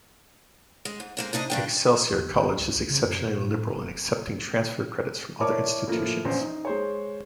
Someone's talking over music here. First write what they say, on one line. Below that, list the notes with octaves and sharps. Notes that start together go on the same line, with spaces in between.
Excelsior College is exceptionally liberal in accepting transfer credit from other institutions.
G#3
G#2
G#3 A#3 C4
C3 D4 D#4 D#5
G2 D4 G5
E2
A1
E1
C#2
C2
C#3
F#2
A#2
A2
E1
E4 A#4 C#5 D5 A5 D6
A2 F3 A#3
A#1 E2 C#4 C5
D#4
G#3 C5 C#5